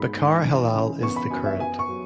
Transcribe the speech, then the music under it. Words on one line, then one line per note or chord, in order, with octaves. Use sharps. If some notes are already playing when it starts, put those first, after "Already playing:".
Bechara Helal is the current.
Already playing: G#2 G#3 B3 B5
G#2
E3
C#3
B3 C#6
B5
F#2 G#5
E5
B3 G#5
C#6
F#3